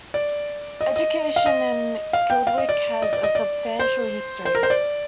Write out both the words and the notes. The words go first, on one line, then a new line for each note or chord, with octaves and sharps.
Education in Kildwick has a substantial history.
D5
D#5
D#5
F5
D#5
F5
G5
F5
D#5
D5
D#5
D5
D#5
D5
C5
C5
A#4
C5
D5